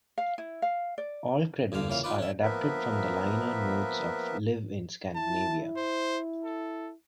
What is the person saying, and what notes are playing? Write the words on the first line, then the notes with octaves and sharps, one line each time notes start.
All credits are adapted from the liner notes of "Live in Scandinavia".
F5
E4
F5
D5
E2 G2 D3 F5
A#2 C#3 E3 F5
D#4 F4 B4 D5
C#4 E5
F3 A#3 B3 A#4 B4 E5
E4 A5
C5
A4